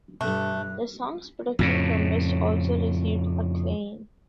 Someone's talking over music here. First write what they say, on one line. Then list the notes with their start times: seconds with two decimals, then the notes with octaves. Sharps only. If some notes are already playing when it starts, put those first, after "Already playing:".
The song's production from West also received acclaim.
0.21 G2 B2 A3 A4 F#6
1.59 F2 A2 C#3